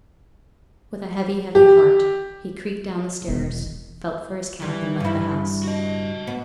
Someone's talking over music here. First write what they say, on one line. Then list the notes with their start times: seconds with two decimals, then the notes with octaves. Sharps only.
With a heavy, heavy heart he creaked down the stairs, felt for his cap, and left the house.
1.55 G4
3.28 E1
4.62 E3 G3
5.00 G2 E4
5.63 F#4 D#5
6.27 B3